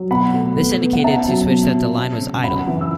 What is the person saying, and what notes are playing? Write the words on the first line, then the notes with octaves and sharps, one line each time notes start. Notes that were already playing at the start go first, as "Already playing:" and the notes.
This indicated to switch that the line was idle.
Already playing: F#3
B2 F#5 B5
A3
B3
B3
F#5
C#4 E5 A5
F#3
B2
F#3
C#4
C#3
F#2 F#5 B5
E3
E6